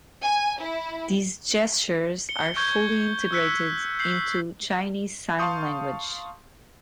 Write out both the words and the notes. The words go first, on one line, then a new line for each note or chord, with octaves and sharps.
These gestures are fully integrated into Chinese Sign Language.
G#5
E4
C#7 G7
C#6 G6 G#6 G7
E6 F#6 B6 C#7
G6 C7 F#7
F5 A5 C6 C#6 D#6 G6